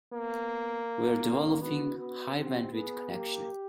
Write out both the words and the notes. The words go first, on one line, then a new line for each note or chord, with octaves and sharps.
We're developing a high bandwidth connection.
A#3 B3
C#4
B3 F#4
B3
C4 G4
B3 G#4
A#3 G4